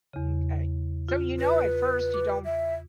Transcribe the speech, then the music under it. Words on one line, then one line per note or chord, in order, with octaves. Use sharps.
M'kay. So, you know, at first, you don't
E2 C#3
F4
B4
D6
E5